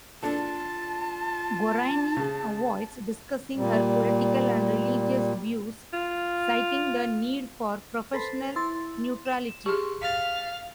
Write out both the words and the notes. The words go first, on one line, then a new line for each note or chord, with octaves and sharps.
Gorani avoids discussing her political and religious views, citing the need for professional neutrality.
D4 F4 A4 A5
C#3
A#2 G3
F4
A4 B4 C5
E4 C6 A6
E7
G4 G#4 C6 C#6
F5 A6 B6